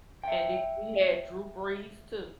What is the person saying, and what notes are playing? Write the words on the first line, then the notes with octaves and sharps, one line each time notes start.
and then we had Drew Brees, too.
E5 G5